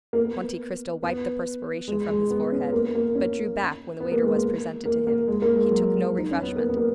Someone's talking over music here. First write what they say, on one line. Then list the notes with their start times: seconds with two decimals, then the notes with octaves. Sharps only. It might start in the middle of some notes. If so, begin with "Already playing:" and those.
Monte Cristo wiped the perspiration from his forehead, but drew back when the waiter was presented to him; he took no refreshment.
0.13 A#3
0.18 B3
1.03 B3
1.88 G#3
2.09 G#3
2.30 B3
2.52 C#4
2.64 B3
2.72 A#3
2.95 A#3
3.15 C#4
4.00 B3
4.12 A#3
4.23 G#3
4.34 A#3
4.85 A#3
5.07 A#3
5.28 G#3
5.42 A#3
5.56 G#3
5.71 F#3
6.18 D#4
6.31 C#4
6.43 B3
6.56 A#3
6.69 B3
6.77 A#3